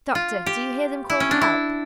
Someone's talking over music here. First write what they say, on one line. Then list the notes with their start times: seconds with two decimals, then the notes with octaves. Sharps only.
"Doctor, do you hear them call for help?"
0.15 F4
0.46 G4
1.10 E4
1.20 C#4
1.31 D4
1.41 E4